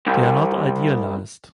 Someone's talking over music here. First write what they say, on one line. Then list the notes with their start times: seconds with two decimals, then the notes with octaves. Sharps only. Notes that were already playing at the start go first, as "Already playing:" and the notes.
They are not idealized.
0.07 C2